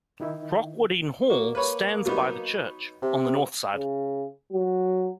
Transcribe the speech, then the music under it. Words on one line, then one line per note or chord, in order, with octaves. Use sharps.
Wrockwardine Hall stands by the church, on the north side.
D#3 D#4 E4
A#3 F#4
B4 C#5
F#3 B3 D#4
C3
C#3
F#3